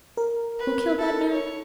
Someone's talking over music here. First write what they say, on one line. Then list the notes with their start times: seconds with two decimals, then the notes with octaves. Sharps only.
Who killed that man?
0.17 A#4
0.60 B4
0.98 A4
1.32 C#5